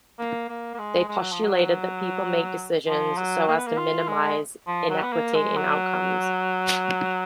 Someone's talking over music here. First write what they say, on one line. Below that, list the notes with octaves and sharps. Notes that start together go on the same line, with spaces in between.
They postulated that people make decisions so as to minimize inequity in outcomes.
A#3
A#3
A#3
G#3
G#3
F#3
F3
F#3
F3
F#3
A#3
B3
A#3
F4
G#3
F3
F#3
B3
A#3
G#3
F#3